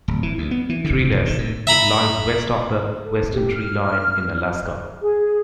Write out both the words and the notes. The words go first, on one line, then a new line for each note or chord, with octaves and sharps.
Treeless, it lies west of the western tree line in Alaska.
D1
E3
D2
B3
E3
D3
C3
E1
D#3
A2
E5 A#5 B5
A4
G4
F6
G#4